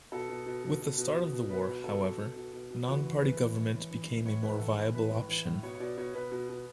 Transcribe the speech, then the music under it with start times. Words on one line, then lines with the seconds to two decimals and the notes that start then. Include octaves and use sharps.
With the start of the war, however, "non-party" government became a more viable option.
0.12 B2 A4
0.29 B2
0.46 B2
0.64 B2
0.81 B2
0.98 B2
1.15 B2
1.33 B2
1.50 B2 B4
1.67 B2
1.84 B2 A4
2.01 B2
2.19 B2
2.36 B2
2.53 B2
2.70 B2
2.87 E3 F#4
3.04 E3
3.22 E3 B4
3.39 E3
3.56 E3 C#5
3.74 E3
3.91 E3
4.08 E3
4.25 A2 C#5
4.42 A2 B4
4.59 E3 A4
4.77 E3
4.94 E3 B4
5.11 A2
5.29 E3
5.45 A2
5.63 B2 C#5
5.74 C#5
5.80 B2 D5
5.98 B2 C#5
6.14 B2 B4
6.32 B2
6.49 B2